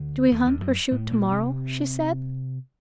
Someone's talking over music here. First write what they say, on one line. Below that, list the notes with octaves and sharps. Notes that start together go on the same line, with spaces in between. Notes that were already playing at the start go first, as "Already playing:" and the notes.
"Do we hunt or shoot to-morrow?" she said.
Already playing: D2 D3
D#2 D#3
D#2 D#3
F#2 F#3
A2 A3
A#2 A#3
C3 C4